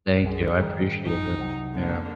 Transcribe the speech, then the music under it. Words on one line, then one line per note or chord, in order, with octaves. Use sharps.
Thank you, I appreciate it. Yeah.
B1 F#2 G#4
G#2 D#3 G3
A1 F#2 D#4
C2 C3 F#3
D3 A#3